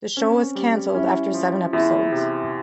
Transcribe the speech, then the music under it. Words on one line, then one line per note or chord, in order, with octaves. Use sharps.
The show was canceled after seven episodes.
C4 C#4
G3
C#4 E4
F3
E2 E4
C3